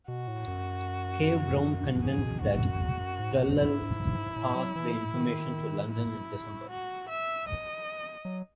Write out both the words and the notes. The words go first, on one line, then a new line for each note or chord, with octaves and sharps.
Cave Brown contends that Dulles passed the information to London in December.
B2 F#4
A2
F#2
G#2 G#4
B2
G#2 F#4
F#2
E2
F#2
G#2
B2
G#2 E4
A2
F#3
E3
D#3
E4
F#4
E5
D#5
F#3